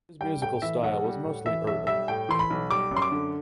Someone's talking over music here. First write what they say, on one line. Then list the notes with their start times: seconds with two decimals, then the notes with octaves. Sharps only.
His musical style was mostly urban.
0.21 G3 G5
0.42 A2 G5
0.62 E3 E5
0.83 B1 F#5
1.04 G3
1.24 A2
1.46 E3 E5
1.67 B1 E5
1.87 G3 E5
2.08 A2 G5
2.29 E3 C6
2.39 B5
2.50 B1
2.70 G3 D6
2.91 F#2
2.96 C6
3.02 D6
3.12 D3